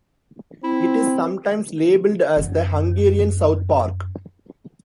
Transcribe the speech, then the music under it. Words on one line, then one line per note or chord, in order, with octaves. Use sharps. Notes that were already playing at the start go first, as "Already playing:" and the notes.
It is sometimes labelled as the Hungarian South Park.
C4 E4
F#2 B3